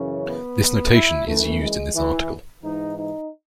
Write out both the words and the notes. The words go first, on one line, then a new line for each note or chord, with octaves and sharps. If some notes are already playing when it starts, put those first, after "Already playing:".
This notation is used in this article.
Already playing: F#2 C#3 E3 C#4
B3
E4
F#2 E3 A3
G#3
E3
G#2 E3 D#4
D#4